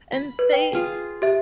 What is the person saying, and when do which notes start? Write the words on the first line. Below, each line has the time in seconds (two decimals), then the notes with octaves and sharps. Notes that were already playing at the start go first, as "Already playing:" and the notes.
and they
0.13 B5
0.39 B4
0.53 G5
0.73 F4 G#4
1.22 G4 E5